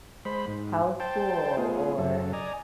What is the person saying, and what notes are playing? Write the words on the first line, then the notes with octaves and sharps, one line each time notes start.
"How's school?" or
G#3 C5 B5
G#2
C5 G5 A5
A3 B3 F4 G#4
F#2 C#3 F#3 A4
D5 D#5 G#5 A#5